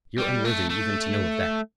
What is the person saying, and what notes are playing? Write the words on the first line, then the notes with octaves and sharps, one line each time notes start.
You're unworthy even to know of that.
G3
A3
A3